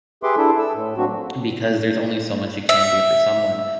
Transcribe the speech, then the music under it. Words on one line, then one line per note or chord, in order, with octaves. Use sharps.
because there's only so much you can do for someone,
G4 G#4 B4 E5 C6 D6
D4 E4 A4
A4 E6
A2
F#3 A#3 C4 D4 F#4
E5